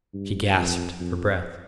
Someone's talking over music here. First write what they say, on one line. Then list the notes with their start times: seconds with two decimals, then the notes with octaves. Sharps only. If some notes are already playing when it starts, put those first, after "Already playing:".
She gasped for breath.
0.14 G2
0.56 F2
1.00 F2